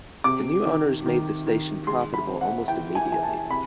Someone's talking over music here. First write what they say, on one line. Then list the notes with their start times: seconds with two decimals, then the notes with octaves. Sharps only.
The new owners made the station profitable almost immediately.
0.24 C3 D6
0.65 D#3
1.06 D#3
1.47 D#3
1.87 G#3 C6
2.14 B5
2.27 C4
2.41 F#5
2.68 E3 G5
2.95 G#5
3.09 E3 G#5
3.23 A5
3.50 C3 B5